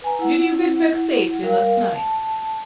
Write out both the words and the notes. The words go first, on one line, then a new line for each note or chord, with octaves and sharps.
Did you get back safely last night?
B4 G#5 A#5
E4 F#5
G3 A#4 F5
A5